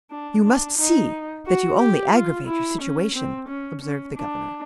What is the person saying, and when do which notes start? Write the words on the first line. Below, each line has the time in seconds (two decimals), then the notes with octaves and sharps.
"You must see that you only aggravate your situation," observed the governor.
0.11 D4
0.44 D4
0.78 D#4
1.46 F#4
1.79 G4
2.13 F4
2.47 E4
2.81 C#4
3.15 C4
3.48 C#4
3.82 C#4
4.16 D4